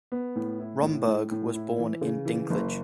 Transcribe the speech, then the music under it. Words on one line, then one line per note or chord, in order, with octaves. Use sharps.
Romberg was born in Dinklage.
B3
A2
E4
A2
A2
A2
E4
E3
C#3
E3
F#1